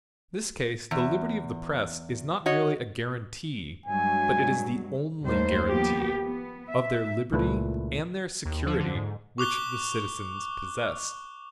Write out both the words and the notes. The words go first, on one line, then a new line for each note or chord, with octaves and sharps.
In this case the liberty of the press is not merely a guarantee, but it is the only guarantee, of their liberty and their security which the citizens possess.
E2
F#4 C#5 D#5
G2 F#3 G#3 G#5
D#2 D#3 G3 A3 A#3 C5
F3 A#3 B3 G4
B3
E5
C#2 A#2 A3 E4 B4
D#2
F3
D3
G#2
C#6 D6 F#6 G7